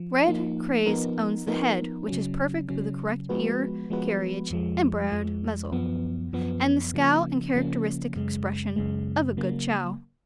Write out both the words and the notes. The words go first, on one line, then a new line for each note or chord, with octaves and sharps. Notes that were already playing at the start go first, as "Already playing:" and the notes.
Red Craze owns the head which is perfect with the correct ear-carriage and broad muzzle, and the scowl and characteristic expression of a good Chow.
Already playing: F3
F3 A#3 D#4
F3 B3 D#4 A#4
F3 B3 D#4 A#4
C#3 F#3 C#4
C#3 F#3 C#4
F3 G#3 B3 F#4 B4
F3 G#3 B3 F#4 B4
F2 F3 G#3
F2 F3 G#3
F#2 F3 B3
F#2 F3 B3
C#3 F3 A#3 C#4
C#3 F3 A#3 C#4
F#2 C#3 G#3
F#2 C#3 G#3
C#3 F#3 A#3